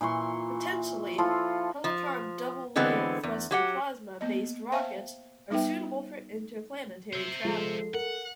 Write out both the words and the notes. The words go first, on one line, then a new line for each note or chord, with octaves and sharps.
Potentially, Helicon Double Layer Thruster plasma based rockets are suitable for interplanetary travel.
A#2 E3 C6 C#6
F3 E4 F4 A4
F3
D3 E3 G#3 B3 C4
E2
F#3 G4 F#5
A#3 B3 D#5
C5 E5 F5 G5 A5
G3 B3 D#4 B4 E5 G5
C5 E5
F3 G#3 A4
A#4 F#5